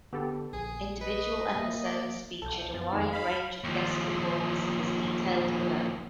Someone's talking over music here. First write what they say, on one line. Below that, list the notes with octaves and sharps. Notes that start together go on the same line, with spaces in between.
Individual episodes featured a wide range of guest performers, as detailed below.
D3 B3 G4 A4
A#1 G#4
B4 D#5
A#3 E5
D5
B1 A4 G6
F#2 F3 B3 A6
F2 D#3 A3
D#5 F5 B5
D#2 F3